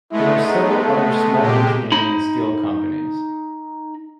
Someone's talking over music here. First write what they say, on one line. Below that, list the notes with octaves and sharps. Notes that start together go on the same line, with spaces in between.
There are several other small engineering and steel companies.
G#3 A3 B3 E4
D#4
A4
A#2 G#3 G4
D#4 B5